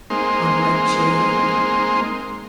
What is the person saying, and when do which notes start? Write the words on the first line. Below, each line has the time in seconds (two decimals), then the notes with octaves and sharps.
"Unlike Jade."
0.10 G#3 A#3 C4 D#4 C6